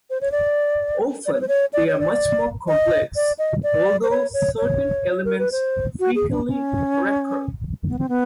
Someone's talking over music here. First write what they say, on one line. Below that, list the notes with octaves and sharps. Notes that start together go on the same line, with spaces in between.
Often they are much more complex, although certain elements frequently recur.
C5
C#5
D5
D5
C#5
C5
C#5
D5
C#5
D5
D#5
D5
D#5
D5
C5
C#5
C#5
C#5
A#4
B4
C5
F#4
G#4
D4
C#4
B3
C4
B3